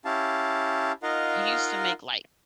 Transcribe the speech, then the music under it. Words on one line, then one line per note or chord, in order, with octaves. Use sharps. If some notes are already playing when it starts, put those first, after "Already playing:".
He used to make, like
C#4 E4 G4 F5 A5
D#4 F4 A#4 D#5 F5 F#5